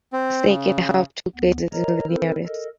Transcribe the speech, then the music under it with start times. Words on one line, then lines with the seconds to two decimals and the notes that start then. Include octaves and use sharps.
The second half took place in Linares.
0.13 C4
0.46 C#3
1.35 D2 B3
1.72 A#4 C#5 D#5 A#5
2.09 C4 E4 A4 A#4 C5
2.46 A4 A#4 D#5